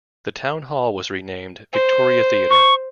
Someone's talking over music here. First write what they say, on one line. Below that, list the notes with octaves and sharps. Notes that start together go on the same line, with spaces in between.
The town hall was renamed Victoria Theatre.
C5
C#6